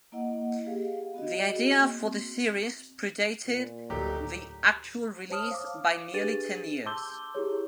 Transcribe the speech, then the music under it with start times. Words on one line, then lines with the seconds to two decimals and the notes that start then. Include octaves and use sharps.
The idea for the series predated the actual release by nearly ten years.
0.12 A#3 E4 D#5 F#5
0.66 G4 G#4 F5
1.14 B3 F#4 D#5
1.52 F#4 G#4
1.77 A#3
1.98 C4
3.46 A#2
3.90 D2 A2 F#3 A3 D#4 G4
5.30 C5 C#5 A5 D#6 F6
5.51 F5 D6
6.13 D4 G4 G#4 B4 A6 D#7
6.86 A5 C6 D6 E6 G6 G7
7.35 E4 G4 G#4 C#5